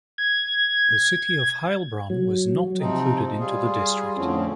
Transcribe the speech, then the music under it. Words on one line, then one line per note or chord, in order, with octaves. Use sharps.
The city of Heilbronn was not included into the district.
G#6
F#3
C3 F3 C4 D#4
G3 F4 G#4
F2 A2 D3 F3 C4 C#4